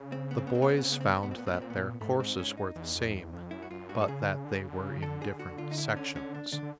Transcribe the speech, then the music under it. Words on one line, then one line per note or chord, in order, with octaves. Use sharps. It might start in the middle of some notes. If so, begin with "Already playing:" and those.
The boys found that their courses were the same but that they were in different sections.
Already playing: C#3
C4
B3
C4
B3
C4
B3
C4
B3
C4
B3
C4
B3
C4
B3
B2
C4
A#2 B3
A2 C4
A#2 B3
C4
B3
G#2 A3
G#2 C4
G#2 C#4
D#4
E2
F2
E2
F2
F#2 E4
F#4
F#2 F4
G2 F#4
A4
C#3 G#4
D3
C#3
D3
C#3
D3
C#3
D#3
D3 A4
G#4
F#4
F4
D#4
E4
C#4
C#4
D4
D3 D4
D3